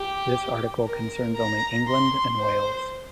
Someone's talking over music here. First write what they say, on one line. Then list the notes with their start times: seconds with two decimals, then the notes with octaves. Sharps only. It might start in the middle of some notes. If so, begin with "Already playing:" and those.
This article concerns only England and Wales.
Already playing: G4
0.86 A#4
1.36 A#5
1.88 C6
2.38 C5